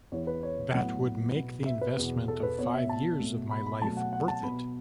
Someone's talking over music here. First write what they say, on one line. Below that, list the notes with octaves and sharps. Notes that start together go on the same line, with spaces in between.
That would make the investment of five years of my life worth it.
E2 E3 B3 C#5
B4
C#5
A2 F#3 B3 F#5
B2 B3
E5
B4
E2 B2 B3
A4
B4
B2 B3 C#5
E5
A5
B2 A3
B5
B5
B2 F#3 A3 A5
F#5
F#5
A5
B2 B3 B5